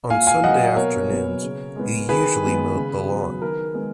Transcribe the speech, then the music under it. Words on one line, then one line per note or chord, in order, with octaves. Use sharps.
On Sunday afternoons he usually mowed the lawn.
A#2 F5 G#5
F5 G#5
F#3 A#3 D#5 F#5
B2 A#4 C#5
F#3 B3
C#3
G#3 B3
D#3 G#4 B4
G#3 B3
C#3
F#3 B3
D#3 A#4
G#3 B3